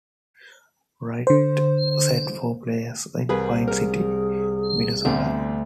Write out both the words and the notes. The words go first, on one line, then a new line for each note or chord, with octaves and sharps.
Wright set four plays in Pine City, Minnesota.
D3 C5
C2 G#4 A#4 B4
G#4 A#4
D2 B2 D3 C4